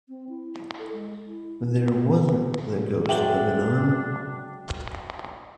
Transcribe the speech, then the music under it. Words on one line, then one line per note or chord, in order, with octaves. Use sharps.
There wasn't the ghost of an arm!
C4
E4
A4
G#3
E4
B3
F#3 G#3 D4 G#4 E5 G5 D6